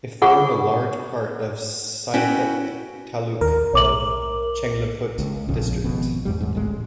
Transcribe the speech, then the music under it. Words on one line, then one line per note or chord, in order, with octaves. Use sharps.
It formed a part of Saidapet taluk of Chengleput district.
F4 G#4 F#5 C#6 D#6
C#4 E4 F#4 G5
D#2 A#4
B1 C#5 D6 F#7
C#2
A#1 F2 C#3
G#1 F2 B2
E2 G#2 G3
D#2 G#2
D1 A1 G#3